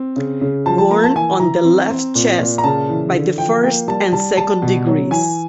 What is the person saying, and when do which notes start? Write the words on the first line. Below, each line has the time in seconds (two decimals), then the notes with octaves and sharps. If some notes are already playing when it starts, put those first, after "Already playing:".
Worn on the left chest by the first and second degrees.
Already playing: C4
0.16 C#3
0.41 C#3
0.66 F3 A5
0.78 A5
0.90 A#3 A#5
1.03 A5
1.15 E3 G#5
1.40 E3 A#5
1.64 C4
1.90 C4
2.15 A#2
2.39 A#2
2.58 A#5
2.64 C#3 A5
2.89 E3
3.13 D3
3.38 F3 G5
3.63 A#3 G5
3.88 G3 A5
4.13 G3 A5
4.37 G3 A5
4.62 B2
4.87 F#3
5.11 E3 G#5